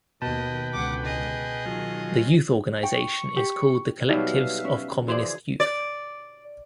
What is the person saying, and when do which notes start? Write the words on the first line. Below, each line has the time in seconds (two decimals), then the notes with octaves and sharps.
The youth organization is called the Collectives of Communist Youth.
0.22 D#2 B2 B4 D#5 G5 A5
0.73 C#2 D3 F#5 D6
1.04 G#4 D#5
1.66 D#3 F#3 F4
2.83 G5 C#6
3.36 G4
4.10 B2 F#3 G3 D#4 B4 E5 F5
4.65 C#4
5.08 C#3 E3 F3 F#4 G#4 C5 D5
5.60 D5